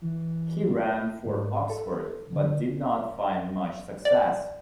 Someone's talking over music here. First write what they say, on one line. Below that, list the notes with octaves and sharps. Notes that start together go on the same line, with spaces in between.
He ran for Oxford, but did not find much success.
E3
G#2
A4
D3
D5